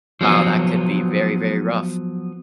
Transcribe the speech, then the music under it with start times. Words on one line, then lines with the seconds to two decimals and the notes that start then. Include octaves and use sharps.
wow, that could be very, very rough.
0.21 F3 F#3 B3